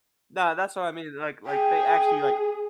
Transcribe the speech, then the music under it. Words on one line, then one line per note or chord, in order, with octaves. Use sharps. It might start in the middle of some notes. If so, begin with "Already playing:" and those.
No, that's what I mean, like like, they actually, like,
G#4 G5